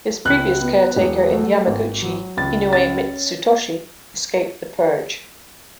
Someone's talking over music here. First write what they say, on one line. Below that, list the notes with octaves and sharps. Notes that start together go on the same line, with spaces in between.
His previous caretaker in Yamaguchi, Inoue Mitsutoshi, escaped the purge.
C#2 F#6
B3
E1
A3
G#1
F#3
C#2 A6
C#4 A6